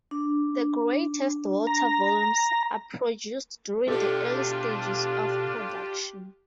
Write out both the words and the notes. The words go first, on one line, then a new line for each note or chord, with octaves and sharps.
The greatest water volumes are produced during the early stages of production.
D4
A#5
B2 D4 F4 G4 A4 E5